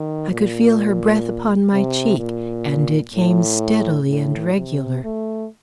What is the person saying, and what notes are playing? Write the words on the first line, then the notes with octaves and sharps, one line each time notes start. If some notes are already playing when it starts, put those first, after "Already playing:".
I could feel her breath upon my cheek and it came steadily and regular.
Already playing: D#3
A#2
C3
A#2
A2
A2
C3
A3